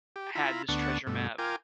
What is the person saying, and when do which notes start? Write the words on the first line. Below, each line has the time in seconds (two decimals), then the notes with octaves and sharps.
had this treasure map"
0.16 G4
0.35 E4 F4 A#5 B5
0.68 D2 B3 D4 F#5 A5 C#6
1.07 G2 B2 A3
1.38 F4 A#4 G5 G#5 D6